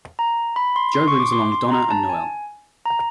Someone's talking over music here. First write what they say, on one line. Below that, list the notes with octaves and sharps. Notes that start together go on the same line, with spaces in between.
Joe brings along Donna and Noelle.
A#5
B5
C6
C6
C#6
D6
C6
C6
A#5
A5
G#5
A#5